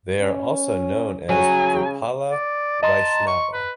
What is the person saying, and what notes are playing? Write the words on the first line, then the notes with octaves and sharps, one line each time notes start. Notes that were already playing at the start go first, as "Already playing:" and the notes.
They are also known as Gopala Vaishnava.
C#4
C#3 F#3 G#5
D5
D#5 A5 A#5 C6
C#6
B4